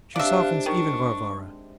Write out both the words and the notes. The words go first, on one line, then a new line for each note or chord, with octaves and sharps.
She softens even Varvara.
C3 G#3 D4 D5 E5 F5 F#6
D#3 C#6